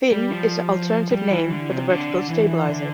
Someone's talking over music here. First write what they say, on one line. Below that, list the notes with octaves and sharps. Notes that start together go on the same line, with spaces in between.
Fin is an alternative name for the vertical stabilizer.
G3
F3
G3
E3
D3
C3
D3
E3
D3